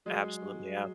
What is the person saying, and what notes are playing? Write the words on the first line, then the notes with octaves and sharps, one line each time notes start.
Absolutely, yeah.
F#3 G#3